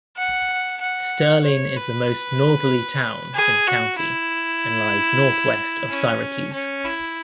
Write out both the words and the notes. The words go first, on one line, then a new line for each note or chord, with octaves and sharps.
Sterling is the most northerly town in the county and lies northwest of Syracuse.
F#5
F#5
C#5
B4
G#4
F#4
E4
C#4
C#4
E4